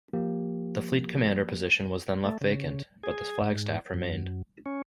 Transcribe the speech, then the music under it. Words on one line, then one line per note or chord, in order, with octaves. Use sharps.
The fleet commander position was then left vacant, but the flag staff remained.
F3 A#3 G4
A3
C#3
G#4
G#2
F#2
C#4